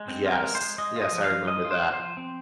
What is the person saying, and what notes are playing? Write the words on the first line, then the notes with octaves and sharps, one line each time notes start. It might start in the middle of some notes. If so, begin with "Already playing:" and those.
Yes. Yes, I remember that.
Already playing: G#3
C4
F4
A#4
G#3
C5
G#3
G#3 D#5
F4
D#5
F3
F5
F3
G#3 D#5
F4
C5
F3
C5
F3
C4